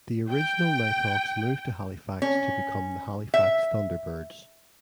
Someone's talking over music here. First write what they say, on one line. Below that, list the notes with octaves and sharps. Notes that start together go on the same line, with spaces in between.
The original Knighthawks moved to Halifax to become the Halifax Thunderbirds.
G5
C#4
E5